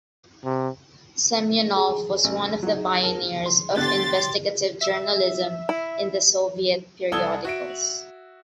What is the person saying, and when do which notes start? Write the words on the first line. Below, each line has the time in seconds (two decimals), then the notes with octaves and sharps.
Semyonov was one of the pioneers of "Investigative journalism" in the Soviet periodicals.
0.44 C3
1.77 G#4
2.24 A1
2.63 F#3 D#4
3.03 A#4 A5
3.46 C6
3.77 E2 D3 G4 C6 F#6 A6
4.81 E5
5.69 E4
7.12 C2 A4 D#6 E6 G#6 G7
7.45 F#4 E5 D7